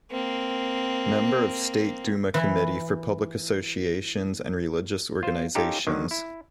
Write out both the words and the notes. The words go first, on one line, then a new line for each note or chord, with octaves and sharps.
Member of State Duma committee for public associations and religious organizations.
A#3 C4
E3 E4
F4 C5
C#4 D#4 F4 G4 A4 A#4
D3 D#3 F#3
E4